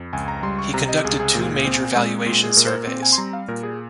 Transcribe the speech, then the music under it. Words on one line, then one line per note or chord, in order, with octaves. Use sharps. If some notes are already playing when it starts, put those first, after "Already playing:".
He conducted two major valuation surveys.
Already playing: F2
C#2 G#5
A#5
G3 C6
C#6
C3 A#5
D#5
C#2 G#4
G#4
A#2
C4
G#3
A#2
G#4
A#2 A#4
C5
A#4
C4
G#5
C6
G3 A#5
F5
A#2 A#4
G#4